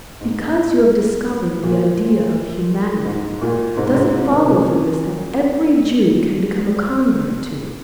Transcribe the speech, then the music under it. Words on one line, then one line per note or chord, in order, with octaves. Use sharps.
Because you have discovered the idea of humanity, does it follow from this that every Jew can become a convert to it?
G#2
A#2
G#2
A#2
G#2 C3
G#2 C3
C3 D#3
A#2 C#3